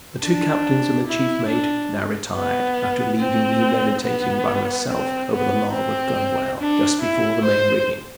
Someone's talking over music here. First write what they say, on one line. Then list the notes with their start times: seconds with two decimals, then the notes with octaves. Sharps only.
The two captains and the chief mate now retired, after leaving me meditating by myself over the larboard gunwale, just before the main rigging.
0.22 D4
1.07 E4
1.49 D4
2.34 B3
3.19 C4
4.04 B3
4.89 C4
5.32 B3
5.74 C4
6.59 D4
7.02 E4
7.44 C5